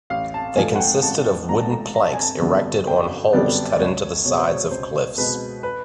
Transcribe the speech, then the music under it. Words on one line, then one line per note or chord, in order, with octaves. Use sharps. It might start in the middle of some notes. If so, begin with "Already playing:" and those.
They consisted of wooden planks erected on holes cut into the sides of cliffs.
A1 F5
A5
G#2 F3 A3 G#5
F#5
G5
A1 A5
G#2 F3 A3 A#5
A5
A#5
G1 A#5
A5
G#5
A5
F#2 D3 G3 B3
G1 G5
F#2 D3 G3 B3 D5
D5
C#2 C#5
B2 G#3 C#5
C5
C#5
C#2 C5
B2 G#3 B4
B4